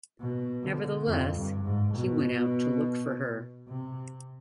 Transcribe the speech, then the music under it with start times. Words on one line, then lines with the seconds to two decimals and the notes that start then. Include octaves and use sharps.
Nevertheless, he went out to look for her.
0.20 B2
0.63 D3
1.07 F2
1.36 G2
1.64 G#2
1.94 B2
3.68 C3